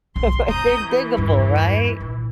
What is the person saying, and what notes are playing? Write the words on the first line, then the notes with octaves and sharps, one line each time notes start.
but they're diggable, right?
B1 C6
C4 A#5 D#6 G6
E3
E2 G2
A#1